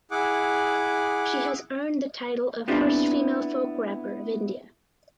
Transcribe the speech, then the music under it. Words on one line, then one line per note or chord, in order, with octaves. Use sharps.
She has earned the title of first female folk rapper of India.
E4 G#4 F#5 D6
B3 C4 D4 E4 F4 G4